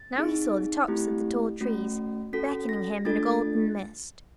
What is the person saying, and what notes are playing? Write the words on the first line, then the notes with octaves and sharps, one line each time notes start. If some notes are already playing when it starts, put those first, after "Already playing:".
Now he saw the tops of the tall trees beckoning him in a golden mist.
Already playing: A6
C4 D#4 G#4
A3 C4 E4 G4
A3 C#4 F#4
C#4 F#4 A4 B6
A#6
A3 D4 F4 A4 A6